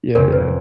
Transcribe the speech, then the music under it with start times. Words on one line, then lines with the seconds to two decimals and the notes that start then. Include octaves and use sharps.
Yeah, yeah.
0.15 F1 F2 C#3 A#4
0.33 B4